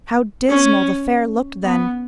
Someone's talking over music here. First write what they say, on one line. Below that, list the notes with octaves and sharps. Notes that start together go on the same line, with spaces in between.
How dismal the fair looked then!
C#4
B3